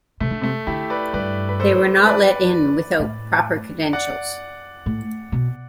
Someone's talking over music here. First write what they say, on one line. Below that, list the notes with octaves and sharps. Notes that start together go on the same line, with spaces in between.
They were not let in without proper credentials.
C3 A3
D3
C3 A3
D3 E4 G4
B4 D5
G2 B4 D5
B4
A4 C5
B4 D5
A2
D5 F#5
A2
B2